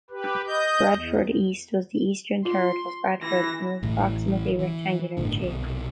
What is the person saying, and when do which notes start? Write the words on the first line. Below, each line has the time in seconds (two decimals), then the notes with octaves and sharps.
Bradford East was the eastern third of Bradford and was approximately rectangular in shape.
0.10 G4 B4
0.47 D#5 G6
0.91 E2
2.45 F4 C6
3.23 E3 A#6
3.83 A1 A2 E3
4.59 E3
5.17 G1 A2 D3
5.41 B1 C3